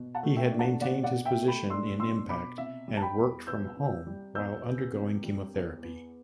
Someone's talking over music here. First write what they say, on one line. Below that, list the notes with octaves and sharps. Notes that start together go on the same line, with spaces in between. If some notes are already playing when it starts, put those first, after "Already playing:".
He had maintained his position in Impact and worked from home while undergoing chemotherapy.
Already playing: B2
F#5 A5
A3
E5 G5
D4
F#5 A5
B2 D5 F#5
D5 F#5
B2
E5 G5
A3
G5 B5
D4 C6 E6
B2 C6 E6
B2 B5 D6
C3 E5
G3
A5
G5 B5
E2
B3 E6 G6
C3
G3
E2 E6 G6
B3
C3
G3
E2
B3